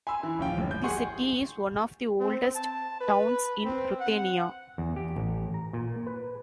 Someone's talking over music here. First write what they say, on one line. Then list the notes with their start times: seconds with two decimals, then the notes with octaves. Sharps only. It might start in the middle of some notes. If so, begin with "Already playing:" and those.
The city is one of the oldest towns in Ruthenia.
0.07 G#5 B5 C6 E6
0.23 E3
0.39 D#1 F3 C#4 F5 G5
0.57 G1 G#2
0.71 G6
0.84 G#4 F#5 C6 C#6
2.20 C4
2.55 A5
3.01 B4
3.65 C4
4.00 F#5
4.78 E2
4.96 G4
5.16 A1
5.54 A#5
5.73 A#2
6.07 B4